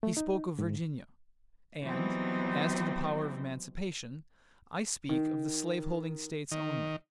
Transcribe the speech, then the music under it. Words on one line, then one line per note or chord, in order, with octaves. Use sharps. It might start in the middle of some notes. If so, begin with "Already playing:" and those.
He spoke of Virginia; and, as to the power of emancipation, I speak of the slave holding States only.
A3
D#4
G#2
E3 F#3 G3 B3 C4 D#4
D#3
D#3